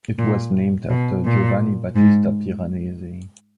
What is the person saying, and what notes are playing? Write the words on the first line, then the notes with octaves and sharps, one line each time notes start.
It was named after Giovanni Battista Piranesi.
A#2
B2
A#2
G#2